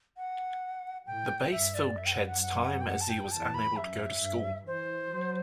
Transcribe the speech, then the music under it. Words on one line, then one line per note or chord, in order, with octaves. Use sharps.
The bass filled Chad's time as he was unable to go to school.
F#5
A2 G5
G2 E5
D5
F#2 E5
G5
F#5
F#5
F#5
G5
F#5
A5
G5
E2 A5
B5
F#2 E5
G2
E3 C5
F#3